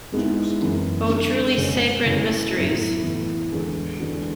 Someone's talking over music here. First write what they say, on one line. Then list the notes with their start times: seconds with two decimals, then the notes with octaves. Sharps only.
O truly sacred mysteries!
0.12 G#2 G#3 B3 E4
0.61 F#2 E3 B3
1.09 D3 G#3 B3
1.58 B2 G#3 C#4
2.06 B2 A3 C#4 E4
2.55 A2 F#3 B3 E4
3.03 A2 E3 B3
3.52 E2 D3 G#3
3.99 E2 D3 G#3 D4 F#4